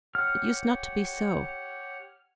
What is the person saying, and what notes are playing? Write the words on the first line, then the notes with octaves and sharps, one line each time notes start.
It used not to be so.
G4 C#5 F#5 F6